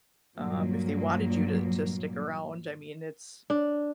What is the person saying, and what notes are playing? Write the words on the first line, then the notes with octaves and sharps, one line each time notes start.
um, if they wanted you to to stick around, I mean, it's
G2 A#2 F#3 A#3
D4